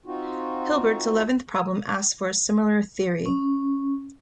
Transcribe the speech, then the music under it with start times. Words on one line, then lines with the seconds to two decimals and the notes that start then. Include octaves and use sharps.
Hilbert's eleventh problem asks for a similar theory.
0.06 C4 D#4 F4 F#4
3.26 C#4